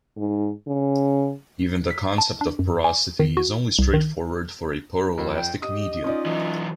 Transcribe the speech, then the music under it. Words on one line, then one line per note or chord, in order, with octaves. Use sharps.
Even the concept of porosity is only straightforward for a poroelastic medium.
G#2
C#3
B6
A5
D4
F#2
G#5
D#3
F#4
C2
D#3
F2
G5
G4 D#5 D#6
C#4 D#4 F4 D5
E3 F#3